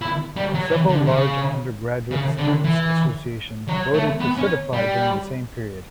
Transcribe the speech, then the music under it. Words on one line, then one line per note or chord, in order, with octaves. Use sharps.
Several large undergraduate students' associations voted to certify during the same period.
E4
G3
F#3
E3
D3
C#3
C#3
D3
E3
F#3
A3
B3
C#4
G3